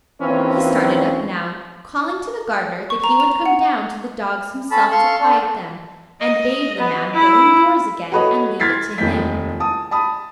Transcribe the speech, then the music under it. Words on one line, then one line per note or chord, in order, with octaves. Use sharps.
He started up now, calling to the gardener that he would come down to the dogs himself to quiet them, and bade the man go indoors again and leave it to him.
D#2 E3 C4 C#4 F4
C#6
A#5
F7
F7
F#5
C#4 A4 A5 B5
A4 F5 C6 C#6
D4 A4
D#5
B3
E4
F#4 A4 B4 C#5 D#5
C6 F6 G#6 A6 B6 C7
F1 D#2 F3 G#3 G6 B6
A5 D#6
A5 B5 D#6